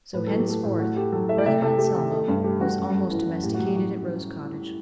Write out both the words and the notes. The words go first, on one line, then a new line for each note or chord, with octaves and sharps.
So henceforward "Brother Anselmo" was almost domesticated at Rose Cottage.
A2 B4
F#3 A4
G4
A3 A4
A2
A3 F#4
A3 G4
F#3 A4
A3 E5
D5
C3 E5
C3 A4
A3 G4
C3
A3
G2
A3 G4
G2 F#4
F#2
A3
E3
F#2
A2 G4
F#4
F#3
G4
F#3 F#4